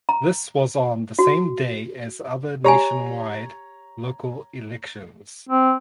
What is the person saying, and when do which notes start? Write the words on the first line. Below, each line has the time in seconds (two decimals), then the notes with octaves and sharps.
This was on the same day as other nationwide local elections.
0.09 A#5
1.19 F#4
2.64 G4 C#5 G#5 A#5
5.49 C4